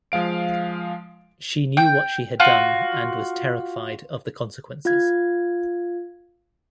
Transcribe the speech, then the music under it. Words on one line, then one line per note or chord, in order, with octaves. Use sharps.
She knew what she had done and was terrified of the consequences.
F3 G#3 F5 D7
G5
F4 F#4
F4 F5 G#6